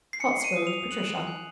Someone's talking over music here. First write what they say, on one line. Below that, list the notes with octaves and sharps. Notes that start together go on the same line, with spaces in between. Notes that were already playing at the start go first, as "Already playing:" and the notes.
Cotswold Patricia.
C7
G#5 C#7
D#7
D#6
F7
F#6 F#7
G#5